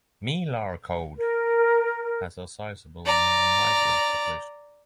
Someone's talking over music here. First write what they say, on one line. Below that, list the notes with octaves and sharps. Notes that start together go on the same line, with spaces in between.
Melarcode has a sizable migrant population.
A#4
D5 A#5